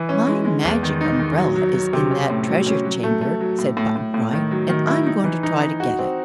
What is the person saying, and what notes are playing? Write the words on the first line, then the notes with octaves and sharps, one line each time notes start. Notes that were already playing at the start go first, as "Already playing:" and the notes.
"My Magic Umbrella is in that Treasure Chamber," said Button-Bright, "and I'm going to try to get it."
Already playing: E3
C#4
G#3
G#3
E2
D#3
D#4
D#3
F#3
F#3
F#3
C3
C#4
A2
F#3
C#4
F#3
A3
A3
F#3
A2
A2
A2
A2
D#3
F#3
D#3
E4
D#4
E3
D#4
D#4
F#4
C4